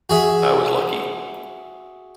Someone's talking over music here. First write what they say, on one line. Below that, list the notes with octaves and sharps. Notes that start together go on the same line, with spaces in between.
I was lucky.
F#4 G#4 E5